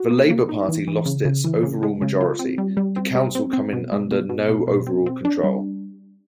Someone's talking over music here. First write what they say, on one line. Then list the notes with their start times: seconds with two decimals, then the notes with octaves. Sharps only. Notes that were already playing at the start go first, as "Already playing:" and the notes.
The Labour Party lost its overall majority, the council coming under no overall control.
Already playing: F#4
0.11 A#3
0.30 A#3
0.49 D#4
0.69 E3
0.88 E3
1.06 C#3
1.25 C#3
1.44 E3
1.63 C#3
1.83 G#3
2.02 C#3
2.21 F4
2.39 C4
2.58 G3
2.77 G3
2.96 C4
3.15 G3
3.35 C4
3.53 C4
3.73 B2
3.92 G#3
4.11 B2
4.29 B2
4.48 B2
4.67 B2
4.87 C4
5.06 C4
5.25 D4
5.44 G3